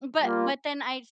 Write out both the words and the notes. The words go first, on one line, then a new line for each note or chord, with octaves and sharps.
but but then I
G3 A#3 F4